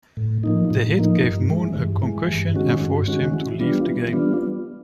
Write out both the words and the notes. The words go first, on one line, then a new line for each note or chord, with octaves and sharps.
The hit gave Moon a concussion and forced him to leave the game.
A2
F3 A#3 D#4
A2
F3 A#3 D#4
G2
E3 G#3
G2
E3 G#3
G2
D#3 G#3 C#4 F#4
G2
D#3 G#3 C#4 F#4
E3
G3 B3 D4 F4
E3
G3 B3 D4 F4